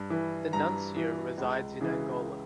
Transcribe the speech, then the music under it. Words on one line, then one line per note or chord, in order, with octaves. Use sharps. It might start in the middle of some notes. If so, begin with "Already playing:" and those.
The nuncio resides in Angola.
Already playing: G2
E3
G2 A#5
E3
C#2
C#3 E3